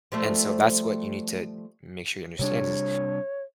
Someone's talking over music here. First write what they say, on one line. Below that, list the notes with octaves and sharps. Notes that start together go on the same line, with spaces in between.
And so that's what you need to make sure you understand is
F3 G3 A3
C3 G3 D4 C#5